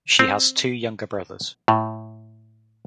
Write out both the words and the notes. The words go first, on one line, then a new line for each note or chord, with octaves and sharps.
She has two younger brothers.
C4
A2